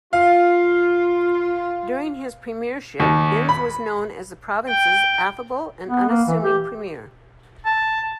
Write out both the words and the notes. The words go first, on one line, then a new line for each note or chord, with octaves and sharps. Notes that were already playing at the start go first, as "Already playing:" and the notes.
During his premiership, Binns was known as the province's affable and unassuming premier.
F4 F5
D#2
B5
G5
B3
A#3
E3
G4
A5